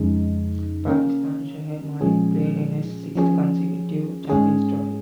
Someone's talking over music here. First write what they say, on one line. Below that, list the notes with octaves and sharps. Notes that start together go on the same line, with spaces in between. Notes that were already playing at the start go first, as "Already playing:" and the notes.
Pakistan's Shoaib Malik played in his sixth consecutive Champions Trophy.
Already playing: F2 C#3 G#3 D#4
C#3 A#3 C#4 A#4
A#2 F3 G#3 C#4 G#4
F3 C#4 G#4
G#2 G#3 C#4 G#4